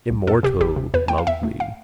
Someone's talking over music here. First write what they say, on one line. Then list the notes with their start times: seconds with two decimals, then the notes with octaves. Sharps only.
Immortal lovely.
0.10 C2
0.27 F2 A4
0.43 C3 G4
0.61 G1 G4
0.76 C3
0.94 E2 B4
1.08 A3 G5
1.18 F5
1.27 E2 E5
1.43 A3
1.60 F5